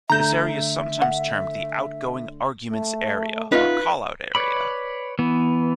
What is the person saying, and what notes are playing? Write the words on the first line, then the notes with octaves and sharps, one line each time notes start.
This area is sometimes termed the "outgoing arguments area" or "callout area".
D3 A3 E5 A#5 G6 E7
F#5
A3
D#4 F4 B4 F5
B4 C#5 D5 B5
E3 B3